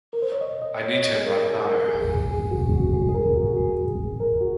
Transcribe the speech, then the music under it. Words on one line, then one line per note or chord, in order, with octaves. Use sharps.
I need him right now.
A#4
C5
C#5
D#5
D#5
C#5
C#5
D#5
G#4
A#4
G#4
A#4
G#4
G#4
G#4
F#4
F#4
G#4
G#4
A#4
F#4
G#4
A#4
F#4